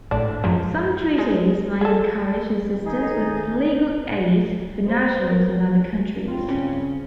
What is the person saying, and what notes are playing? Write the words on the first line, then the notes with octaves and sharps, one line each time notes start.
Some treaties may encourage assistance with legal aid for nationals in other countries.
G#1 A2 D4
F#2 F3 F#3 G#3
G#3
G#4 A4
D#3 A3 D#4 G#4
B3 B4 C5
A#4
G#4
G2 C4 F4
C#3 C#4